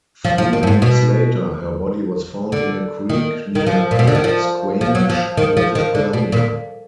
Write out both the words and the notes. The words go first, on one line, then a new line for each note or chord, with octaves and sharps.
Three weeks later, her body was found in a creek near Squamish, British Columbia.
F3
F3
D#3
F#2
G#2
B2
D3
D#3
D#3
F3
A#2
B2
D3
D#3
F3
F3
F#3
F3
D#3
F3
D#3
D3
B2
A#2